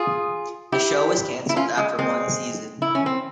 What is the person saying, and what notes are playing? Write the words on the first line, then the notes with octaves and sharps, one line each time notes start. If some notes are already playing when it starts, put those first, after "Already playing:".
The show was canceled after one season.
Already playing: F4 G#4
E4 G4
E4
C#4 F4
G#3
G#3 C4
E4
C#4
C4